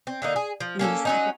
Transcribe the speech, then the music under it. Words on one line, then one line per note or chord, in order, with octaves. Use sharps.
I'm just like it
C4
D3 A#3 D#4
G#4
F3
A#3 C#4 G4 A4
F#3 C#4 D#4